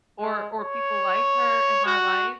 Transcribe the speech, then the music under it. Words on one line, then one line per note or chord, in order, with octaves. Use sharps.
or or people like her in my life,
G#3
C#5
F#4